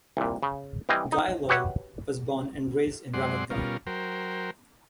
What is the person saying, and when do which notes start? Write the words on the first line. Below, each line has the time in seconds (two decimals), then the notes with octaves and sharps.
Guy Loel was born and raised in Ramat Gan.
0.17 C2 A#2
0.43 C#3
0.89 E3 G3 C4 D#5 G#5
1.12 D#4
1.49 F#4 G4 B4 C#5 E5 F#5
3.14 F#2 G#3 C4 D5 F#5 C6
3.50 B2 G3 C#4 F4 A#4
3.87 F#3 A#4 C5 G5